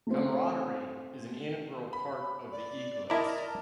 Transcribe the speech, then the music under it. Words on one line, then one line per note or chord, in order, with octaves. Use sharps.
Camaraderie is an integral part of the eaglets.
A3 C4
B5
D5
E4 A#4 D5 D#5 A5 A#5